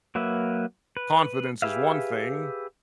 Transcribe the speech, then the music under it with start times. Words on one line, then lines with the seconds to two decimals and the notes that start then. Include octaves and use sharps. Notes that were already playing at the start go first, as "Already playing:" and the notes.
confidence is one thing,
0.15 F#3 A#3 B4 E5
0.97 B4
1.62 G4 G#4 B4 E5 F5